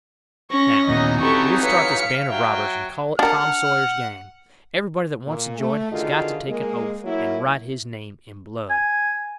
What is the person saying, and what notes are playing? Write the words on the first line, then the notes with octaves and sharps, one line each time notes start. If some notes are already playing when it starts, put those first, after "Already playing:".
"Now, we'll start this band of robbers and call it Tom Sawyer's Gang. Everybody that wants to join has got to take an oath, and write his name in blood."
C#4 C#6 A#6
D#2 A#2 E3 F#3 B3 D#4 D#5
C4 G4 A4 B5 C#6
B4 C#5 F5 B6 C#7
F#3 E5 G5
D4 A#4 F#5 F6
A#2
A3
D3 D#3 D#4 F4 F#4 G#4
G#3 A#3
F#3 A#3 E4
G#5